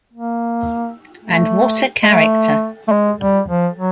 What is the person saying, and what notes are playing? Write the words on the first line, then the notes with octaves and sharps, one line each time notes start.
And what a character.
A#3
A3
G#3
A3
A3
G#3
G3
F3
F#3